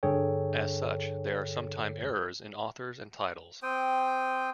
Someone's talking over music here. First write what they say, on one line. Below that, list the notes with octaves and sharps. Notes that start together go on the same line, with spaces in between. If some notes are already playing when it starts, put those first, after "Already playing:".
As such, there are sometime errors in authors and titles.
G2 D3 G#4 A4 C#5 G5
C4 C5 G5 D#6